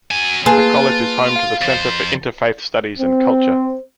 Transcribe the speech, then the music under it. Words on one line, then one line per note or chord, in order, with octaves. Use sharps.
The college is home to the Center for Interfaith Studies and Culture.
F#3 G#5
A#3 F4 G#4 B4 A5
F5
F2 C5 A6
C4